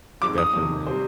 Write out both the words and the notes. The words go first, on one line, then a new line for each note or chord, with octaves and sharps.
Definitely, man.
G#1 G#2 F3 G#3 C4 D6
D#6
F2 C3 D#3
C3 G3 C4 G4 C5